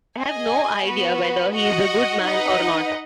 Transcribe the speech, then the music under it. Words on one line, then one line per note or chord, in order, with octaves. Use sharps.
I have no idea whether he is a good man or not.
G#4 D#5 G#5
B3 F#4 B4
F#4 D#5 F#5
D#4 B4 D#5 F#5